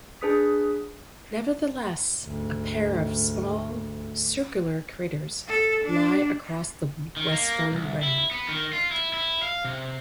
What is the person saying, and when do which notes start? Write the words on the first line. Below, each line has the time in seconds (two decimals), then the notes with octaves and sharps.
Nevertheless, a pair of small, circular craters lie across the western rim.
0.21 D4 G#4 B4 D#6 B6
2.21 D2 G#2
5.48 A4
5.84 D4
7.17 D#3
7.32 A#3
7.72 C2
8.03 E4
8.31 B3
8.48 D#3
8.73 F4
8.91 E4
9.14 E4
9.43 F5
9.64 C3